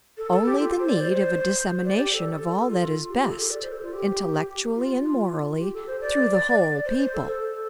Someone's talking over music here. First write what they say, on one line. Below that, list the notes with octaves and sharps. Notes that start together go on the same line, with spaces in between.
Only the need of a dissemination of all that is best, intellectually and morally, through the whole people.
A4
A4
G4
F4
C5
D5
C5
D5
G4
A4
F4
G4
G4
A4
A4
D5
C5
A4
F4
G4
F4
G4
A4
C5
D5
C5
C5
A4
A4